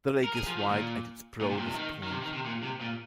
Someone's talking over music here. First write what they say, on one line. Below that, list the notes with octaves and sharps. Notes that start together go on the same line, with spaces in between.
The lake is wide at its broadest point.
A#4
G#4
F3
D#3
A#2
A#2
C3
A#2
C3
D#3
D#3
C3
D#3
C3
A#2
C3
A#2